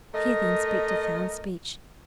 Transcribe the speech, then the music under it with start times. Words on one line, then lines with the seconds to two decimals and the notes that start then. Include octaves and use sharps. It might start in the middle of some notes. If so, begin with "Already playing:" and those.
Here the inspector found speech.
0.14 A3 A#4 D#5